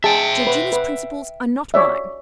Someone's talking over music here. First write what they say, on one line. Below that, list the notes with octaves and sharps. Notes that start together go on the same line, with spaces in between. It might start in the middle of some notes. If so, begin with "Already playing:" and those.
'Georgina's principles are not mine.
G#4 E5 G5 A5
B4
B4
C#5 D5 E5